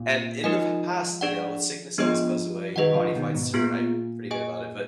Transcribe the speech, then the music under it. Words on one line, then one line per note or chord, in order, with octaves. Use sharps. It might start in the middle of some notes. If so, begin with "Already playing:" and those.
And in the past, you know, sickness always goes away. Your body fights through it. I'm pretty good about it. But,
Already playing: A#2
F3 G#3 D#4 A#4 D#5 G#5
D4 G#4 D5 F#5
F3 G#3 B3 D4 G#4 D#5
D#3 F#3 G#4 B4 D#5 F#5
D3 F3
B2 D#3
G#2 B2
A#2 B3 F4 G#4
G#4 D#5 G#5